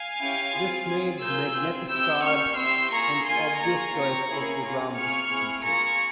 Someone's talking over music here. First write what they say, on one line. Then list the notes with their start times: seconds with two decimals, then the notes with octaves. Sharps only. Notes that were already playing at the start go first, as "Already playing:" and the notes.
This made magnetic cards an obvious choice for program distribution.
Already playing: F5 G#5
0.19 C#4 E4 G4
0.53 C4 F4 G#4
0.87 C4 F4 G#4
1.21 A#3 F4 G#4 E6 G6
1.56 C4 F4 G#4
1.89 C4 E4 G4 E6 G6
2.23 A#3 C#4 G4 C#6 F6
2.57 C4 E4 G4 C6 E6
2.91 A#3 F4 G#4 A#5 C#6
3.25 A#3 F4 G#4 G#5 C6
3.60 A#3 F4 G#4 A#5 C#6
3.94 C4 G4
4.28 A#3 C#4 E4 G#4
4.61 C#4 F4 G#4
4.96 C4 F4 G#4 C#6 F6
5.30 C4 E4 G#4
5.64 A#3 F4 G#4 A#5 C#6